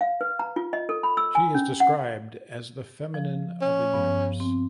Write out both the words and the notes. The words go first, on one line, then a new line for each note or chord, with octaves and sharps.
She is described as "the feminine of the universe".
F5
B4
A#5
F4
D#5
A4
B5
E6
G#5
C#4
F#5
F3
C#4
G2 F3 B3
C4